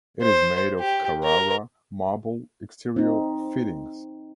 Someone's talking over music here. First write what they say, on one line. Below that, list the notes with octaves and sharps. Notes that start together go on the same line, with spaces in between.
It is made of carrara marble exterior fittings.
C5
G4
A#4
C4 D#4